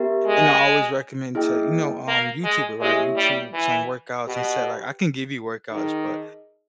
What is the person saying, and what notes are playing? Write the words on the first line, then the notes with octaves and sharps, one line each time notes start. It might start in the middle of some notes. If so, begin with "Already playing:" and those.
and I always recommend to you know, um, YouTuber, right? YouTube some workouts and say, like, "I can give you workouts, but
Already playing: B3 G4 A#4 E5
G#3
A#3 E4 G#4 D#5 G5
A#3
G#3
G#3 A#3 E4 G4 C#5 E5
G3
E3
B2 G4 B4 G5
D#3 D#4 G#4 D#5